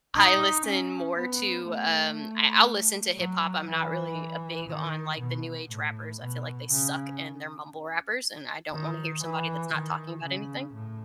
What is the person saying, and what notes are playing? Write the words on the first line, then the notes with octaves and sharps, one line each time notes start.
I listen more to, um, I I'll listen to hip hop, I'm not really, uh, big on like the new age rappers, I feel like they suck and they're mumble rappers, and I don't wanna hear somebody that's not talking about anything.
D#4
C#4
B3
A3
F#3
E3
D#3
B2
A2
B2
C#3
D#3
E3
D#3
C#3
A2